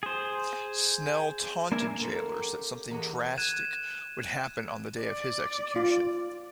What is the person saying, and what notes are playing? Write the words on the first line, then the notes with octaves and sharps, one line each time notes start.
Snell taunted jailers that something drastic would happen on the day of his execution.
G#4 C5
A#3 D4 A#4 E5 G#5
A#3 C#4 A4 A#4 C5 F#5
G4
E2 A#3 B3 F#4 D#5
F#6 G#6 D#7 E7
D5
F4